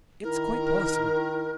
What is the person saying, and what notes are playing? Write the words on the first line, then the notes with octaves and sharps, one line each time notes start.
"It's quite possible."
D#3 E4 A#4